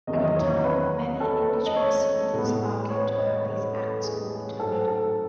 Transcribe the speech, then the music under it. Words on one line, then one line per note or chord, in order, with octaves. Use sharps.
At the time, many Indigenous leaders argued to have these acts overturned.
E2 D#3 F#3 D#5
E5
D#5
C#5
B4
A4
B4
D#5
C#5
A2 G#3 B3
C#5
B4
C#5
D#5
C#5
A4
G#4
G#2 F#3 A3 A4
A4